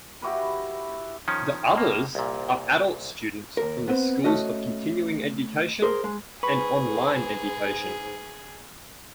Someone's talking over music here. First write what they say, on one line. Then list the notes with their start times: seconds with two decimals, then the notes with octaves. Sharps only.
The others are adult students from the schools of Continuing Education and Online Education.
0.22 E4 F#4 G4 B4
1.28 D#3 F3 C#4
1.76 A2 A#3
2.15 C2 A#2
3.57 D#2 A#4
3.88 B3 C4
4.24 A3 C#4 F#4 D#5
5.82 G#4 A#4 C5
6.04 G#3
6.43 G#2 G#4 B4 B5 C#6